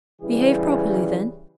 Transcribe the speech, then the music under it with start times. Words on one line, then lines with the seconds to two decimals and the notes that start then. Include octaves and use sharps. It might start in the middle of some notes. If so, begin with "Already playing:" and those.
'Behave properly, then.'
0.22 C#3 E3 G3 G#4